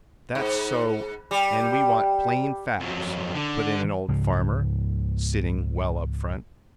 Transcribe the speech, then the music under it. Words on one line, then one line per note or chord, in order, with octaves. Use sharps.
"That's so--an' we want plain facts," put in an old farmer, sitting well up front.
G#2
G3
F2 F#3
D3
C#2 G#2 C#3 F3